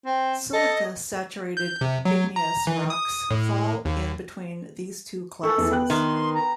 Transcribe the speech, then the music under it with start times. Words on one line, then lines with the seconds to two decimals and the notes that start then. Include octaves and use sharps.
Silica-saturated igneous rocks fall in between these two classes.
0.06 C4
0.53 A4 D#5
1.57 G6
1.81 C3
2.05 F#3
2.36 A#5
2.67 E3
2.90 D#6
3.31 A2
3.85 D#2
5.43 A4 A#4 C#6 E6
5.58 E2 E3
5.71 B3 G5 F#6
5.90 D#3 C6
6.34 A#5